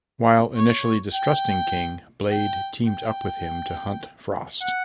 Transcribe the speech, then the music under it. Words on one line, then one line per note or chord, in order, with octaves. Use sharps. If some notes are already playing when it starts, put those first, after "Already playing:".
While initially distrusting King, Blade teamed up with him to hunt Frost.
C#5
G5
G5
G5
F#5